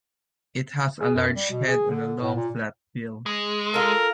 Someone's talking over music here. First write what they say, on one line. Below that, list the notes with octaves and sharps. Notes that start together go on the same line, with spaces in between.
It has a large head and a long, flat bill.
G#4
F#2
G3
B2
G#4
D3
A2
A#2
G#3
F4 A4 A#4